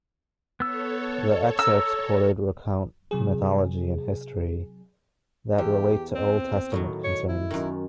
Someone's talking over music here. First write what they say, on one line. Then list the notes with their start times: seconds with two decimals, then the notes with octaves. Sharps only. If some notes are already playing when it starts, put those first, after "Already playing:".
The excerpts quoted recount mythology and history that relate to Old Testament concerns.
0.60 B3 A4 C#5 E6
1.59 A#5 E6
3.11 C3 F#3 G#4
5.58 E2 G4
6.15 C4
6.72 A2 D#3 F#3
7.04 C#5
7.28 E4
7.51 F#2 D#3